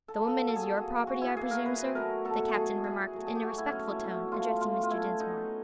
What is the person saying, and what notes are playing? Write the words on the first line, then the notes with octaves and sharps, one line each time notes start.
"The woman is your property, I presume, sir?" the captain remarked in a respectful tone, addressing Mr. Dinsmore.
A4
F#3 A#3
A4
B2 A4
G#4
A4
F#3 A#3 G#4
B2 F#4
E4
F#3 A#3 G#4
A#4
B2 B4
B4
F#3 A3 A#4
B2 A4
F#3 A3 G#4
B2 G#4
F#3 A3
G#4
G4
B2 F#4
E4
F#3 A3 C#4
E4
B2 E4
F#3 A3 F4
B2 F4
F4
F#3 A3 E4
B2 D#4